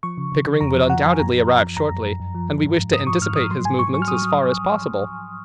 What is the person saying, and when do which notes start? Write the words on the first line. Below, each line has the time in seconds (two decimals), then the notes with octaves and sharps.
Pickering would undoubtedly arrive shortly, and we wished to anticipate his movements as far as possible.
0.03 F3 C#6
0.18 C#3
0.32 C#3
0.46 C#3
0.61 F2 A#5
0.75 F3
0.90 F3 F#5
1.05 F3 G#5
1.19 F#2 A#5
1.33 F3
1.48 F3
1.62 F3
1.77 F#2 A#5
1.91 F#2
2.06 F#2
2.20 F#2
2.35 F3
2.49 F3
2.64 G#2
2.79 G#2
2.92 G#2 D#6
3.07 F3 C#6
3.21 G#2 F6
3.35 F3 D#6
3.51 F#3 C6
3.64 G#2 G#5
3.79 G#2 C#6
3.93 F#3 C#6
4.02 F6
4.08 F#3 D#6
4.22 F#3